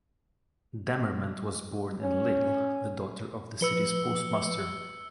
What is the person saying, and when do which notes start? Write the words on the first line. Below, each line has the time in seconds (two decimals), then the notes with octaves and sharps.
Damerment was born in Lille, the daughter of the city's postmaster.
2.03 C#4
3.61 F3 B4 E6 C#7 G7